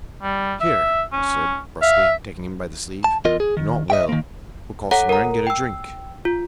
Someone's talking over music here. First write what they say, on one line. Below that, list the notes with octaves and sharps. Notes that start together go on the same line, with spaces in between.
"Here," I said brusquely, taking him by the sleeve, "you're not well. We'll call somewhere and get a drink."
G3
E5
C#4
E5 F5
A5
E2 F4 A#4 D#5
G#4
D#3
D#5 E5 G5
D#3 A#3
A4 C#5 F#5 A#5
A#4 A#5
G5 E6
F4